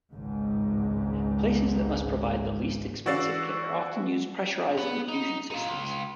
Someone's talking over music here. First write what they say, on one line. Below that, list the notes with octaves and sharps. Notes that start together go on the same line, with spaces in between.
Places that must provide the least-expensive care often use pressurized infusion systems.
G#1 C#2 G#2
E3 F#4 D5 E6 A6 C7
B3
D#4
D#4 F4
C#2